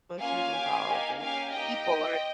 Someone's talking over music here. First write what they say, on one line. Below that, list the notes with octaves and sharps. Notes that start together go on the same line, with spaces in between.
promotions involved, and people are
A#3 C#4 F4 F5 G#5
C#4 G4
A#3 D#4 G4
A#3 C#4 G4 F5 G#5
A#3 D#4 G4 D#5 G5
C4 G4